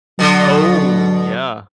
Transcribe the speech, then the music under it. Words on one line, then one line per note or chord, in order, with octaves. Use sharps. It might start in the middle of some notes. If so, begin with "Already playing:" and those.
Oh, yeah.
B2 D3 F#3